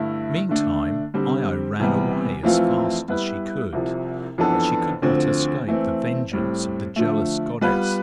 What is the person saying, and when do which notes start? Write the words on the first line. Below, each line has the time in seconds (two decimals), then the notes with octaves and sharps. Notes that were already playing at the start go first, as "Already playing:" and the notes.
Meantime Io ran away as fast as she could, but she could not escape the vengeance of the jealous goddess.
Already playing: G2 D3 A3 E4
0.49 D3 A3 D4
1.14 D3 G3 C4 G4 C5
1.79 E2 C3 G3 B3
2.43 F2 E3 A3 C4 F4
3.08 G3 B3 E4 B4
3.73 C2 C3 F3
4.38 F2 E3 B3 D4 A4
5.02 D2 D3 F3 C4
5.67 E3 A3 C4
6.32 A2 G3 C4
6.96 D3 F3 A3
7.61 G3 B3 F4 B4